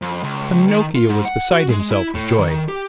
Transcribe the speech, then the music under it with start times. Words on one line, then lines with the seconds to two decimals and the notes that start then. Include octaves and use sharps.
Pinocchio was beside himself with joy.
0.02 F2
0.23 C#2
0.68 D#3
0.95 F4
1.09 G#2
1.25 F#5
1.51 F#4
1.69 G#3
1.91 E4
2.15 A2
2.39 D#3
2.69 G4